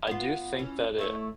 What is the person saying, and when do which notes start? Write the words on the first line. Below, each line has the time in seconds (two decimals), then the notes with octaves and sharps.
I do think that it
0.07 B3 F4
0.59 E3 C#4
0.99 A3 E4 C#5